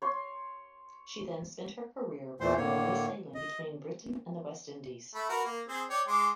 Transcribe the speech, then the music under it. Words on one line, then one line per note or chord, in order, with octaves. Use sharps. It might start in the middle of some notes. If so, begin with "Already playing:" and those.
She then spent her career primarily sailing between Britain and the West Indies.
C#5 C6
E2 A#2 E3 A3 C5 C6
A2 D3 A#3 C#5
D#5
A3 B5
F#4 A#4 B4
A#3
C4 G#4 C5
C#5 D5 G5
G#3 C6 D6